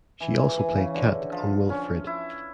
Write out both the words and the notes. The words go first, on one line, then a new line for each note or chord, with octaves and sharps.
She also played "Kat" on "Wilfred".
E3
E3
E3
C#3
D3
F3
C#4
E4